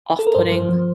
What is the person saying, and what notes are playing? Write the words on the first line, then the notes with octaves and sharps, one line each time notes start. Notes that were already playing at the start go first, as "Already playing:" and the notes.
off putting.
A4
A#4
G2 C5
F3
F3